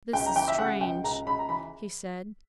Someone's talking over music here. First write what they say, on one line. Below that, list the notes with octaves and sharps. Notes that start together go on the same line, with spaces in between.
"This is strange!" he said.
C#2 G5
A#5
E3 G5
E5
C#3 F#5
C#2 G5
C#2 A#5
C#2 B5
A#5
E3 B5